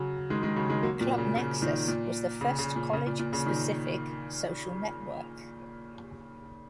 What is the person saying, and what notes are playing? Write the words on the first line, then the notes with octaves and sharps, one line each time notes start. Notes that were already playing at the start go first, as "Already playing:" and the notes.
Club Nexus was the first college-specific social network.
Already playing: C#3 F#3
D#3 G#3
D#3 G#3
C#3 F#3
D#3 G#3
F#3 A#3
A#2
C#3
C#3
A#2 D#3
A#2
C#3
C#3
A#2
C#3
A#2
A#2
C#3
A#2 D#3